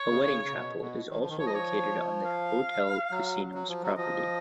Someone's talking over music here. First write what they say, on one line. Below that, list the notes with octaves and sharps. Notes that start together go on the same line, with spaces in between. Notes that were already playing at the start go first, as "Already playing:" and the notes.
A wedding chapel is also located on the hotel casino's property.
Already playing: C#5
C#3
C#3
B2
B2
D#3
F3
D#3
F3 C#5
D#5
C#5
F5
F#3
F#3
F3
F#3
F3 D#5